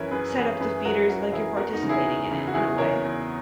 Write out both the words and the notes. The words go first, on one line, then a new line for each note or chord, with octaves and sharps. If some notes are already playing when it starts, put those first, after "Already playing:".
set up the feeders and, like, you're participating in it, in a way?
Already playing: F#2 E3 C#4 E4 A#4 B4 C#5
F#2 G#4 B4
E3 G#4 B4
F#2 G#4 B4
E3 F#4 A#4
F#2 F#4 A#4
E3 E4 G#4
E2 F#4 A#4
D#4 F#4
C#3 E3
E4 G#4
E2
C#3 E3
F#4
E2 E4 G#4
C#3 E3 A#4 C#5
E2